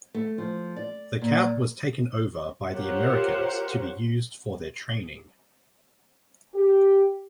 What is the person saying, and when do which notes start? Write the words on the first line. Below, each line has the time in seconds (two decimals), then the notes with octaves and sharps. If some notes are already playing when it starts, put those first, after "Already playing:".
The camp was taken over by the Americans to be used for their training.
0.14 A3
0.38 F3
0.76 D5
1.22 A#2
2.71 F4 G4 A#4 C5 C#5 F#5
6.55 G4